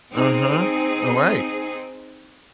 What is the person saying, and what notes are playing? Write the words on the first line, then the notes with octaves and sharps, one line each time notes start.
Uh-huh. Alright.
C4 D#4 G#4